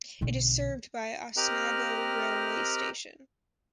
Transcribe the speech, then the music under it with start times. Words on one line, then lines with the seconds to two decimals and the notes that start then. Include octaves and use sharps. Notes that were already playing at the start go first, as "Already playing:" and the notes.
It is served by Osnago railway station.
0.21 B1 D3
1.37 C4 G4 A#4 D#5 F6 F#6